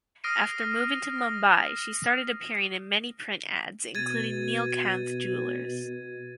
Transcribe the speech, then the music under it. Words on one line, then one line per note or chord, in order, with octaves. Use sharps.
After moving to Mumbai she started appearing in many print ads including Neelkanth Jewellers.
D#6 F6 A#6 C7 D7 D#7
A#6
B2 G#6 A6 D#7